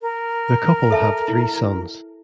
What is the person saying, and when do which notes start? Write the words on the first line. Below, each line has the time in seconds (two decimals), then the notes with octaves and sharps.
The couple have three sons.
0.01 A#4
0.91 A4 E5 A5
1.28 E4